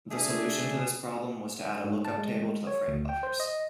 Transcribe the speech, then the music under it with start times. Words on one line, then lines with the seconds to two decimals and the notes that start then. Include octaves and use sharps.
The solution to this problem was to add a lookup table to the framebuffers.
0.10 A3 D4 G#4
1.84 G#2
2.05 A5
2.18 G#3
2.67 C#5
2.88 D2
3.09 G5
3.23 C5
3.40 D#5